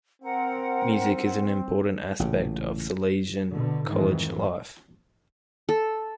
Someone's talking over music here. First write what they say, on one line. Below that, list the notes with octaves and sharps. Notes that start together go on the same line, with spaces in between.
Music is an important aspect of Salesian College life.
C4 A#4 F#5
A1 A#2 C#3
B2 D3
F2 G#2 D#3 E3
A4